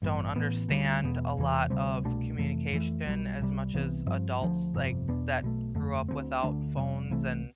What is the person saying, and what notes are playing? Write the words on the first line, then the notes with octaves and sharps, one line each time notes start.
don't understand a lot of communication as much as adults, like, that grew up without phones and
A1 G2 E3 B3
A1 A2 E3 B3
D2 D3 G3
E1 E2 B2 B3
E1 E2 C3 E3
D2 C3 G3 C4
C2 B2 A3 D4
F2 C3 E3 A3
F2 E3 A3
B1 B2 G3
C2 C3 G3
C2 C3 E3 B3
G2 F3 C4
D2 D3 F3
G1 F2 C3
E2 B2 B3 D4
B1 B2 A3
G1 F2 D3 A3
D2 D3 G3 C4
D2 D3 A3 D4
F1 F2 C3 G3
C2 C3 E3 A3